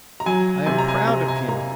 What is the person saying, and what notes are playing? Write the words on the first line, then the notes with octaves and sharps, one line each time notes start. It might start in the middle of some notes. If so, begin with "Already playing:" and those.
I am proud of him.
A#5
F#3 G#5
C3 G#5
A#5
G#5
C3 A#5
G#5
A#3 A#5